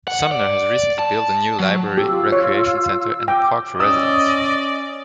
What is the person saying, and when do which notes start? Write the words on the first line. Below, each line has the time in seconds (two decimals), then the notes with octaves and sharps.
Sumner has recently built a new library, recreation center, and a park for residents.
0.08 F#5
0.31 D5
0.99 A5
1.60 F#3
1.98 F4 G4 E6
2.32 C#5
3.28 G5 D6
3.80 C#4 D5 D#5 D#6 E6